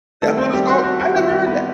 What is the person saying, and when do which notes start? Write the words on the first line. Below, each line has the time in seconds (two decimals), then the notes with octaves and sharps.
That's what it was called? I never heard that.
0.22 D#3 G3 A3 C4 A4
0.37 C4 C5
0.53 G3 G4
0.69 D#3 G3 C4 F#4
0.83 F#4
1.00 F#4
1.15 D#3 G3 C4 E4
1.30 G3 G4
1.46 B3 B4